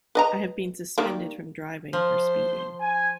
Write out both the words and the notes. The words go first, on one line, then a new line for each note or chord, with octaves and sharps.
I have been suspended from driving for speeding.
B4 D#5 A#5
D#3 G3 A#3
F3 C5
G#5